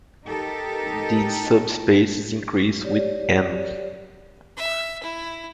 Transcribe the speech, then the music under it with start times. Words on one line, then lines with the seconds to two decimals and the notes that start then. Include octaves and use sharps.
These subspaces increase with "n".
0.25 D#4 G4 A4 A#4
2.83 G4 C#5 D5
4.57 E5
5.03 E4